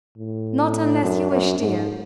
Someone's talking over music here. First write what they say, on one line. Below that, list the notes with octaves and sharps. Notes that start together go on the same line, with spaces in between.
Not unless you wish, dear.'
A2
F#2
F#2
G#2